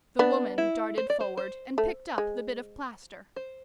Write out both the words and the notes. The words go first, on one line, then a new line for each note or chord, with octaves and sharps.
The woman darted forward and picked up the bit of plaster.
B3 D4
E4
C5
D5
C5
C5
A3
G#3
C5